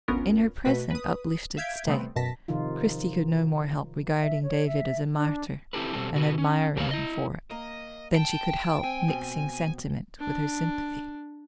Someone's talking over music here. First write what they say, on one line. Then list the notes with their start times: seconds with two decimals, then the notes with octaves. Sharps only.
In her present uplifted state, Christie could no more help regarding David as a martyr and admiring him for it, than she could help mixing sentiment with her sympathy.
0.08 G#1 D2 B3 C#4 F4 A#4
0.65 B2 A3 F#4 B4 B6
0.91 B4 D#6
1.57 E5 F5 G6 G#6 B6 D7
1.87 C3 G3 A3 B3 C4
2.16 F#2 B2 A5 A#6 B6
2.48 C3 D#3 F3 D#4 F4
4.22 E5
4.42 C#5
4.67 E5
5.18 D4
5.73 C4 E4 G4 A4 B4
5.93 B2 G3 C4 A4
6.14 C3 F#4 B4
6.38 C#4
6.77 G4 A#4 B4 C#5 E5 F5
6.91 E4 D#5
7.51 A#3 D#5
8.15 G5 A5
8.84 C4 G#5
9.08 B2 C4
10.20 D4